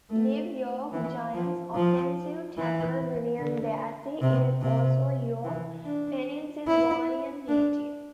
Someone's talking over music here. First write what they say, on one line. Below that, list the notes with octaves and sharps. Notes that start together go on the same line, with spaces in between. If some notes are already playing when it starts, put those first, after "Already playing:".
New York Giants Offensive Tackle William Beatty is also a York, Pennsylvania native.
A3
E3
F3
F3
E3
D3
C3
C3
E3
D4
E4
D4